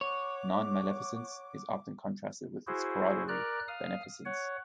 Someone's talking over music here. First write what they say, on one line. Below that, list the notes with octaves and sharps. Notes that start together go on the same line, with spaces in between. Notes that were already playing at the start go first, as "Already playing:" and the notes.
Non-maleficence is often contrasted with its corollary, beneficence.
C#5 F#5 D6
E4 F#4 G#4 C5
A#4 D5 F6 F#6
F5 D#6 F6
C#5 F#5